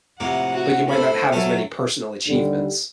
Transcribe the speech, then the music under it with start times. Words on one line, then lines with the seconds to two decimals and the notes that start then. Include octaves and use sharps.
but you might not have as many personal achievements,
0.20 F2 A2 C3 A#3 F#5
0.53 F#4
0.89 A4 C5 B5
1.32 F#3 A3 C#4 A4
2.27 D#2 D3 G3